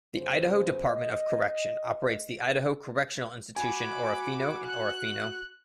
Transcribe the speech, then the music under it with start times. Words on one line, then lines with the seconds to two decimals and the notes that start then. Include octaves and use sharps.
The Idaho Department of Correction operates the Idaho Correctional Institution-Orofino in Orofino.
0.16 F#2 C#3 B3 C5
0.85 D#5
3.56 F#4 G#5 B5 D6
4.64 F#6